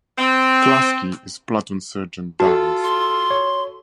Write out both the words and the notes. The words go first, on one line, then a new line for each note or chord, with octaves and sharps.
Klasky, his platoon sergeant, dies.
C4
F4 F#4 A4 A5
C6
C#5